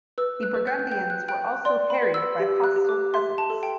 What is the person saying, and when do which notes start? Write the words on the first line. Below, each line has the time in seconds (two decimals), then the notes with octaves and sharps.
The Burgundians were also harried by hostile peasants.
0.18 B4 E6
0.43 F#6
0.54 B4
0.67 G6
0.91 G5 G6
1.10 F#6
1.28 G5 F#6
1.65 D5 C6
1.90 B5
2.02 B4
2.14 E6
2.39 G4
2.64 F#6
2.76 G4
2.89 D6
3.14 E5 C6
3.38 A5
3.50 A4
3.63 G5